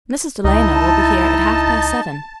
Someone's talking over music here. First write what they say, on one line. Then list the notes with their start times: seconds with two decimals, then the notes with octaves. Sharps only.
Mrs. Delano will be here at half past seven.
0.44 C#2 D#4 E4 D#5 A5